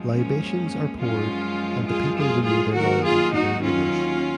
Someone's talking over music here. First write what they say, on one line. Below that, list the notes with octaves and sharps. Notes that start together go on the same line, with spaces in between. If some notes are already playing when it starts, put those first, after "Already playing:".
Libations are poured and the people renew their loyalty to their rulers.
Already playing: F#2 F3 G#3
A#3 C#4
F#2 F3 G#3 C#4 F4
F4 G#4
F4 G#4
F4 G#4
D#2 D#3 F#3 F#4 A#4
F4 G#4
D#4 F#4
C#4 F4